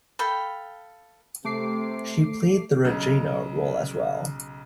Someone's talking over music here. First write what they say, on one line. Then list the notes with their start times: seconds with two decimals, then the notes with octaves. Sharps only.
She played the Regina role as well.
0.19 A4 F5 G5 B5
1.45 C3 A3 D6 C7
2.85 B1 C#3